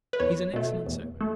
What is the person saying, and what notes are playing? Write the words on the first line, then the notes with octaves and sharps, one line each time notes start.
He's an excellent servant.
B4
E2 C#5
B2 A3
E2
A3